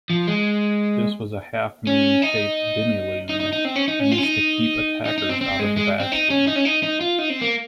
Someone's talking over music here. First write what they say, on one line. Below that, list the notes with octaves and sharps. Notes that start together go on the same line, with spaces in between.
This was a half-moon shaped demi-lune, used to keep attackers out of the bastion.
F3
G#3
C#4
D#4
D#4
D#4
D#4
C4
C#4
D#4
C#4
F4
C#4
D#4
D#4
D#4
C4
C4
G#3
G#3
C4
D#4
C#4
D#4
C#4
D#4
D#4
F4
D#4
C4
A#3